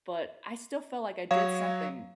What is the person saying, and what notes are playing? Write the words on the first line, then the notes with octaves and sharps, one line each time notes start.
but I still felt like I did something
F#3 C#5 F5